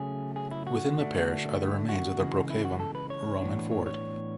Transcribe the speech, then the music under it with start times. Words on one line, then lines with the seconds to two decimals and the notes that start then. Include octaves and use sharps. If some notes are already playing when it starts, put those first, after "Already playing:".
Within the parish are the remains of Brocavum Roman fort.
Already playing: C#3 F#3 A3 C#4 G#4
0.36 G#4
0.51 E4
0.67 F#4
0.98 D3 A3 D4
1.89 F#4
2.19 C#3 E3 G#3
2.50 E4
2.65 F#4
2.80 A4
2.95 B4
3.10 C#5
3.41 A2 E3 B3 D4
3.71 C#5
3.86 C#5